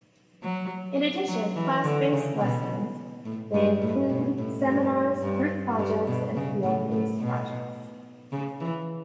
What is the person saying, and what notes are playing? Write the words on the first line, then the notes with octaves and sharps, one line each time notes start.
In addition class-based lessons, they include seminars, group projects and field-based projects.
F#3
F#3
E3
D3
C#3
B2
A2
G2
A2
B2
A2
G2
G2
G2
B2
C#3
A2
A2
B2
C#3
E3